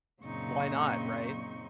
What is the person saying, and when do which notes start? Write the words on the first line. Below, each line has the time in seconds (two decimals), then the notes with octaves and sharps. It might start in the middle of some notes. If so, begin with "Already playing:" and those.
Why not, right?
0.23 F#2 A#2 C#3 C4 D#4 C#6